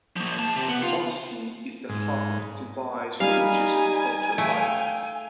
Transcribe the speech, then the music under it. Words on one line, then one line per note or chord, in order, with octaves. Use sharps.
The mosque is the hub of Dubai's religious and cultural life.
F3 A#3
A2 A5
C3
B3
F4
G#2
G3 D#4 F5 G#5
A3 F5 G5 D7